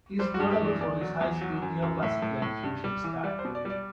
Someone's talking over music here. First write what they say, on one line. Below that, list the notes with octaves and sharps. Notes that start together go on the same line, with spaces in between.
He is notable for his high-speed neoclassical and fusion style.
G3 C5
F#4
G2
G4
E3
D5
E2 D5
F#3
E2
F#3
F#2
F#2
A2 E5
A2
A2
G2
G3
E3
G3 D5
C5
B2
D5
G3 D5